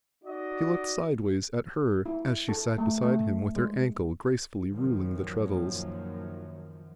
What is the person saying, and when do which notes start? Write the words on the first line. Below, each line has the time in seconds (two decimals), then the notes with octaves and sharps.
He looked sideways at her as she sat beside him with her ankles gracefully ruling the treadles.
0.23 D#4 F#4 D5 D#5
2.06 E4
2.49 A4
2.78 A3
3.02 A3
3.56 G#3
4.72 F#2 A#2 D#3 F3 F#3